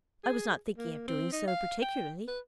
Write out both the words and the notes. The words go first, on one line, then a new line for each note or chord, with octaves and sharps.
"I was not thinking of doing so particularly."
G#4
A#3
C4
D#4
F5
G5
B4